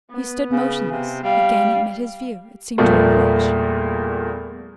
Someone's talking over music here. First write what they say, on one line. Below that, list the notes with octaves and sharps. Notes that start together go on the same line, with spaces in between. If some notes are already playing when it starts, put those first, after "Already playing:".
He stood motionless; again it met his view; it seemed to approach.
B3
C#3
C3
G3 F5
E2 A#2 F3 G3 A3 A#3